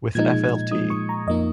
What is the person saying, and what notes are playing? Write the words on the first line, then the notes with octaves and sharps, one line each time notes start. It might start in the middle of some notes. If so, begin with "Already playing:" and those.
With Flt.
A#2 F3 G#3 D#4 G#6
G#6
A#2 F3 G#3 D#4 D#6
C#6
A#5
F2 F3 A#3 D#4 D#5